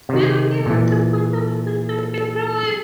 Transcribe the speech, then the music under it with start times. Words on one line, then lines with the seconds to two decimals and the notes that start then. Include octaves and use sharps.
The idea at the bottom is the same everywhere.
0.09 C3 D#3
0.66 A#2 E3